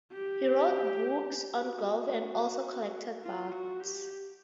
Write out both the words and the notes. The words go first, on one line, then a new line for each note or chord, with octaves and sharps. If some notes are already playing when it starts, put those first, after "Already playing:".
He wrote books on golf and also collected ballads.
G4
F#4
F4
F#4
G4